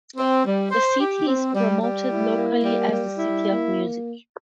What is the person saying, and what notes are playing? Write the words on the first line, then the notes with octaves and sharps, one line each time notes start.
The city is promoted locally as the "City of Music".
C4
G3
C5
G4
C4
G3
G3
E4
A#3
G3
G3
E4
A#3